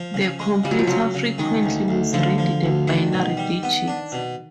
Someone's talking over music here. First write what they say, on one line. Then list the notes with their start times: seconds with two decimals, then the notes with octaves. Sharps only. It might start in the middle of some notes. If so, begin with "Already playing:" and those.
The computer frequently misread the binary digits.
Already playing: F3
0.14 C#3
0.39 G#3
0.64 C#3 G3
0.71 F#3
0.79 F3
0.87 C#3 F#3
1.14 C#3
1.38 D#3 G#3
1.63 D2
1.88 D2
2.13 D3 F3
2.38 F3
2.64 D2
2.87 D#3 D4
3.13 B2
3.37 G3
3.63 B3
3.88 D4
4.12 B2